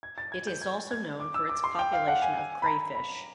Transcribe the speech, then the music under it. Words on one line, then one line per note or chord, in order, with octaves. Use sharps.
It is also known for its population of crayfish.
G#6
A6
G#6
G6
G#6
G#6
D6
E6
D6
C6
G5
F5
F#5
G#5
G#5
B5
A#5
B5